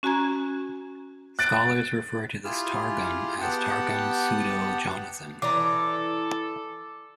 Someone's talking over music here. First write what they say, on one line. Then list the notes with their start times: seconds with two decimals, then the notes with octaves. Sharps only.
Scholars refer to this "targum" as Targum Pseudo-Jonathan.
0.03 C#4 F#4 G#5 A#5 G#6
1.39 F#6 A6 D7
2.44 E4 F4 G4 G#4 F6
3.41 B3 G4 F#5 G5 A5
5.42 E3 A4 D5 A#5 D6